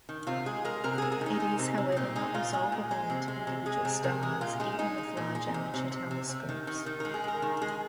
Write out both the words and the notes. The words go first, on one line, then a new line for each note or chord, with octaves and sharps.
It is, however, not resolvable into individual stars even with larger amateur telescopes.
D#3
C3 F4
G#3 G#4
G#3 A#4
C3 A#4
C3 G#4
G#4
D#3
D#4
G#3
C3
C3
D#4
A#2 C4
G#3 D#4
A#2 F4
G#3 G#4
A#2
G#3
C3
G#3
C3
G#3 G#4
C3 G#4
C3 A#4
G#3 G#4
A#2 F4
G#3 D#4
G#3 D#4
G#3
A#2
G#3
C3
C3
C3
C3
C3
D#3
D#3
D#3
G#3 A#4
G#4
G#3 A#4
D#3
G#3 G#4